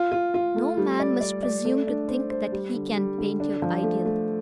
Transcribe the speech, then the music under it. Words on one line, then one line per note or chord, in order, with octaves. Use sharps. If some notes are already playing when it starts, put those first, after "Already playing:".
No man must presume to think that he can paint your ideal.
Already playing: F4
F4
F4
A3
G3
D5
D5
D5
A3
D4
C5
C5
G3
D3
G3
D3
D4
F3
A3
A3